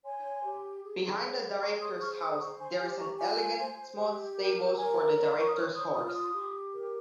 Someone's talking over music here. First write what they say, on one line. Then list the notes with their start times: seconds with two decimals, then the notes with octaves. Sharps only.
Behind the Director's house there is an elegant, small stables for the Director's horses.
0.04 C#5 G#5 C6
0.44 G4
0.84 G#4
1.22 C#5
1.61 G#4 A#5 C#6
1.81 C6 D#6
2.01 C5 C#6 F6
2.20 C6 D#6
2.35 D#6
2.40 C5 A#5 C#6
2.60 G#5 C6
2.80 G4 G#5 C6
2.99 A#5 C#6
3.19 F4 G#5 C6
3.59 C5
3.98 G4
4.37 A#4
4.76 A#4 G#5 C6
5.16 C#5
5.23 A#5
5.31 C6
5.39 C#6
5.47 D#6
5.55 C5 C#6 F6
5.74 C6 D#6
5.94 F4 C6 D#6
6.08 F6
6.14 C6 D#6
6.33 G4
6.73 A#4